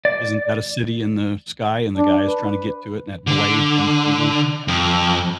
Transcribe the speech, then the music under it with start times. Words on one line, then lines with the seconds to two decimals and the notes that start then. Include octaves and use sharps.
Isn't that a city in the sky, and the guy is trying to get to it, and that blade thing's coming down, yeah.
0.05 D5
1.96 D4
2.28 B4
3.27 D3
4.68 F2